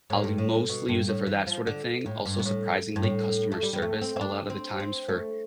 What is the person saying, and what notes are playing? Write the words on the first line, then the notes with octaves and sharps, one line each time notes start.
I'll mostly use it for that sorta thing, also, surprisingly, customer service a lot of the times for,
A2
G2
A2
B2
G2
A2
E3
F3
D3
A2
G2
B2
A2
G2
A2
A3
G3
G3
A3
C4
C4
D4
C4
C4
A3